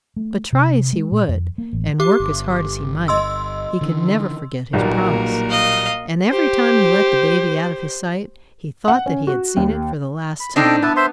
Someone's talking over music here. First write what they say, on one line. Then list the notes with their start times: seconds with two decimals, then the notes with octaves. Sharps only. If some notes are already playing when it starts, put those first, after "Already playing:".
But try as he would and work as hard as he might he could never forget his promise, and every time he let the baby out of his sight he thought that he had seen it for the last time.
0.16 A3
0.53 C3
0.93 G#3
1.12 A#2
1.28 F2
1.58 A#3
1.73 A1
2.00 G4 D6
2.20 G1
3.08 D#5 C6 E6
3.81 D3 E3
4.73 B1 A#2 G3 A#3 F#4 A#4
5.50 D#5 F5
6.28 G4 C5
8.88 F#5
9.06 C#4
9.27 F#4
9.57 D#2
10.40 B5
10.56 C4 D4 D#4 A4 D#5 G5
10.82 B3 E4 B4 A5
10.96 C5 E5 C6